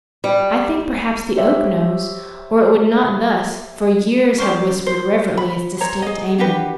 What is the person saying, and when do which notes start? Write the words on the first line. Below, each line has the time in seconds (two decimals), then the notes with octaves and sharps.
I think perhaps the oak knows or it would not thus for years have whispered reverently its distinct Amen!
0.24 G3
1.37 G4 C5 C#5 E5
4.38 C#4 C5 D5
4.86 C5
5.37 B5
5.81 C5 C#5 A#5
6.02 G#4 D#5
6.38 D4 F#4 G4 B4